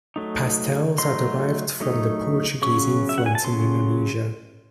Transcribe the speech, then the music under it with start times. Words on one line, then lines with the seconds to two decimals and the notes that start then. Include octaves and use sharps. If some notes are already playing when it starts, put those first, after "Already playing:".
Pastels are derived from the Portuguese influence in Indonesia.
0.16 F#3 A3 D#4
0.98 F#3 A3 D#4 C6
1.80 F#3 A3 D#4
2.62 C#3 F#3 C#4 C#6
3.09 E5
3.18 F#5
3.26 G#5
3.35 A5
3.44 C#3 F#3 C#4 C6